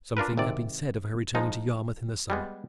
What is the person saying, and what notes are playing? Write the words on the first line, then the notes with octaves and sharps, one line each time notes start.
Something had been said of her returning to Yarmouth in the summer.
D4 F4 A#4 B4
G#1 C3 D5
F3 G#3 D#4
G3 G#3 B3